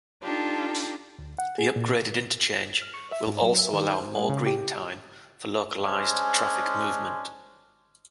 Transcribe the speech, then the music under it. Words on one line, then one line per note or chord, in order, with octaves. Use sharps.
The upgraded interchange will also allow more green time for localized traffic movement.
D4 D#4 F4 G4 A4
D2
F#5
G#4
A#2
F6
C#6
E5
G#2
F#3
E5
D#3
C5
G#3
C#3
G4
G4
G#3 C#4 D4 C5